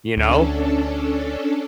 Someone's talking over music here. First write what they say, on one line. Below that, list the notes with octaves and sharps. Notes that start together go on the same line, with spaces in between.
you know,
D2 C#4 D4 A4